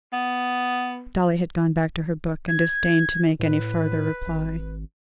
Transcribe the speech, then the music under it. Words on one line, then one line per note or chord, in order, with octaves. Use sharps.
Dolly had gone back to her book, and disdained to make any farther reply.
B3
G#6
A2 B4
G#1